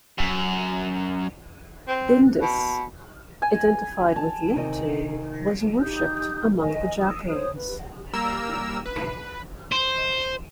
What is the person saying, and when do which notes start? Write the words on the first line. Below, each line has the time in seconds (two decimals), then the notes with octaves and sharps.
"Bindus", identified with Neptune, was worshipped among the Japodes.
0.18 F#2
1.88 C4
2.41 B2
3.42 G#5
4.16 A5
4.56 C3 D#3 D#5
5.81 D#4 G4 D#6 G6
6.59 B4 D#5 G#5
7.00 D#6 E6
7.28 C5 C#5 D#6
7.55 B4
8.13 G3 A#3 A#4 E6
8.86 B4
9.72 C5